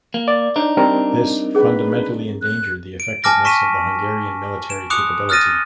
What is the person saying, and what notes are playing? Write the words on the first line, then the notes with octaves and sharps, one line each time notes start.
This fundamentally endangered the effectiveness of the Hungarian military capability.
A#3
D5
D4 D#4 C5 C#5
G3 C4 A#4
C#4 G#4 B4
F#6
D7
G#5 A5 D6 F6 A#6
A5 C#6 B6 D#7 E7
D7 E7
C6 D6 D#6 F#6 C#7 F7
D#6 F6 F#6 A6 A#6 D#7